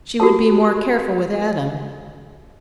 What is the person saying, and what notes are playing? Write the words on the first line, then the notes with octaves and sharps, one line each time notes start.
She would be more careful with Adam.
F#4 G4 A4 A5